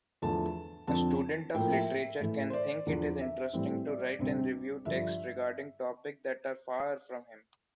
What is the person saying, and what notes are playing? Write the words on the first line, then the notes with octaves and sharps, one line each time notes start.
A student of Literature can think it is interesting to write and review texts regarding topic that are far from him.
E2 D3 F3 A3 A5
F2 D3 F3 C4 A5
A2 F3 A#3 G5
E5
A2 E3 A3
C5
D5
E2 D3 F3
E5
A2 E3 G3 C4
D5
D2 C3 G3 C4
G2 D3 F3 E5